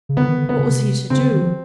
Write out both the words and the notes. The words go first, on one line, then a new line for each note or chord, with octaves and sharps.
What was he to do?
C#3
D3 B3
D#3
D3
D3 B3
C#3
C3
C#3 C4
D3
D#3
F3